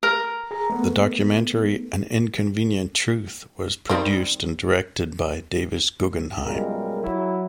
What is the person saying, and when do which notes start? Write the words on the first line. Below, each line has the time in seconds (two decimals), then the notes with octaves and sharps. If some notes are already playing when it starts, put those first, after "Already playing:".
The documentary, "An Inconvenient Truth", was produced and directed by Davis Guggenheim.
0.03 A#4
0.51 G#4 A#5
0.70 A3 B3
3.89 D#3 G3 C4
6.45 F#2 B2 G3 G#3 F4 A#4
7.03 F#3 E4